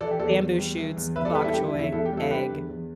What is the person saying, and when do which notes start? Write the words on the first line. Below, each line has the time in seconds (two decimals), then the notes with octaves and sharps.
Bamboo shoots, bok choy, egg
0.01 E3 A4 D5
0.11 G4
0.20 E2 A4 D5
0.40 E2
0.58 G3
0.77 E3
0.97 E2
1.16 E2 B4 E5
1.25 A4 D5
1.34 G3 G4 B4
1.44 E4 A4
1.54 D3 G4
1.66 E4
1.74 E2
1.79 E4
1.92 E2 E4 A4
2.06 G4
2.12 G3
2.17 E4 A4
2.31 D3 G4 B4
2.50 E2
2.69 E2